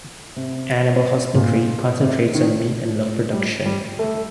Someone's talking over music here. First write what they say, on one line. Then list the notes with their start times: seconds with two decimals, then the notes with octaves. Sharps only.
Animal husbandry concentrates on meat and milk production.
0.36 C3
1.35 A#2
2.01 C3
2.35 D#3
3.33 G3
3.65 G3
3.99 A3